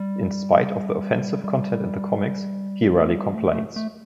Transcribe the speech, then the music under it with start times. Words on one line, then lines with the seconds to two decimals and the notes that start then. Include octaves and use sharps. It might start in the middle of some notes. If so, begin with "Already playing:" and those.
In spite of the offensive content in the comics, he rarely complains.
Already playing: G3
1.44 G3
2.96 A3
3.15 G3
3.34 A3
3.53 A3
3.76 A3